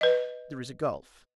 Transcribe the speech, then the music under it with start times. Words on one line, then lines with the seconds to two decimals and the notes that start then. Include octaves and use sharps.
There is a gulf.
0.01 B4 D#5